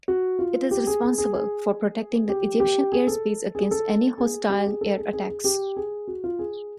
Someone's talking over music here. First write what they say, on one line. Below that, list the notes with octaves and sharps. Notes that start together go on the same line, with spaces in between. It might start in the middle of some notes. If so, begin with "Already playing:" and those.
It is responsible for protecting the Egyptian airspace against any hostile air attacks.
F#4
F4
G4
G#4
G#4
G#4
G#4
G4
G4
G#4
A4
G#4
A4
G#4
G4
G#4
A4
G#4
G#4
G#4
G4
G#4
F#4
F4
G#4